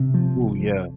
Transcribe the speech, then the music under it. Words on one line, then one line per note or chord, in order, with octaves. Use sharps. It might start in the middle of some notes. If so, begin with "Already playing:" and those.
Ooh, yeah.
Already playing: C3
F3
G1
F2